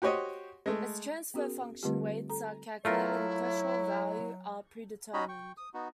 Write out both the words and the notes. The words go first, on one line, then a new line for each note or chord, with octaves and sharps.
Its transfer function weights are calculated and threshold value are predetermined.
F#4 G4 C5 C#5 D#5
G#3 A3
B3 C#4 F#4 G#4 A#4
D3 G3 A3 C4 F4 G4
A4 A#5
F#3 A3 E4 F4 A#4 C#5
C#4 D#4 F#4 C#5 D#5 B5
G5 C#6
D#6
B3 D#4 F#4